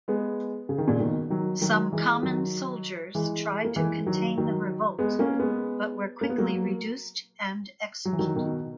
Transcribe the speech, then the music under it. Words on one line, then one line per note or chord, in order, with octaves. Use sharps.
Some common soldiers tried to contain the revolt but were quickly reduced and executed.
G#3 B3
C#3
D#3
A#2 C#3
B2 D#3
D#3 F#3
D#3 F#3
E3 G#3
D#3 F#3
E3 G#3
A#3
E3 G#3
D#3 F#3
D#3 F#3
G#3 B3
A#3 C#4
G#3 B3
A#3
B3
F#3 A#3
F#3
E3
D#3 F#3
B2 D#3